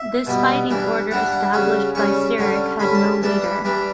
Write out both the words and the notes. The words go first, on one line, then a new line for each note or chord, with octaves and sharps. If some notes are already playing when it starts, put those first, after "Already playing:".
This fighting order established by Cyric had no leader.
Already playing: E5
B2 G3 B3
E3 G3 D4
E3 G3 D4 F#5
F#5
C#3 G3 C#4
C#3 G3 C#4 C#6
D3 G3 C#4
D3 G3 C#4 B5
A5
E3 G3 D4 A5
B5
E3 G3 D4